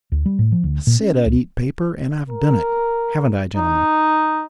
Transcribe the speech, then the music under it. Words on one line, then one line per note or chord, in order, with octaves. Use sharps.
"I said I'd eat paper, and I've done it; haven't I, gentlemen?"
D2
G3
A2
F3
D2
A#2
C#4
C#2
A#4
D#4